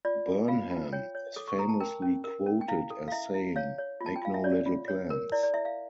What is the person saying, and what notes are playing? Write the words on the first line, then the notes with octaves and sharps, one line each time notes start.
Burnham is famously quoted as saying, Make no little plans.
F4 D5
F4
F4 F5
F4
C#5 G5
C#5
A4 D6
C#6
A4 A#5
A5
A#4 G5
C#4
A#4
C#4
G5
E4 F5
A4
F5
E4 E5
E4
C#5 F5
C#5
F4
A5
G5
F4 F5
E5
C#5 D5
F4
C#5
A#4
E4 D5
D5
E4 E5
F5